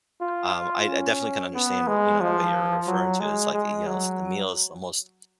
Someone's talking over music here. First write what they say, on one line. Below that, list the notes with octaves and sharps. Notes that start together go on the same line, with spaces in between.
um, I I definitely can understand w you know, the way you're referring to. It's like, you know, the meal is almost,
F4
C#4
B3
G#3
F3
F#3
G#3
G#3
F#3